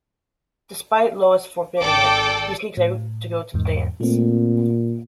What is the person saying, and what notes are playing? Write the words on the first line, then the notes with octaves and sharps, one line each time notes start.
Despite Lois forbidding it, he sneaks out to go to the dance.
G#1 A4 D5 G5 D6
A2
E2 G#2
A#2 A3 C4